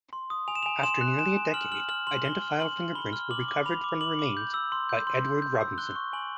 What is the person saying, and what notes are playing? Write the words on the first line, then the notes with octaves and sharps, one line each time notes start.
After nearly a decade, identifiable fingerprints were recovered from the remains by Edward Robinson.
C6
D#6
G#5 F7
E7
G#5 F7
C6 E7
F#6
G#5 E7
G#5
F6 F#7
F6 F#7
F6 F#7
C6 F#7
C6 G7
F6
C6 F#7
F6
B5 G7
F6
D6 F#7
D6
B5 F7
D6
D6 F#7
D6
G6
E6
C6
G6
C6
G6
G6
E6
F#6 G7
C#6
G#5 F#7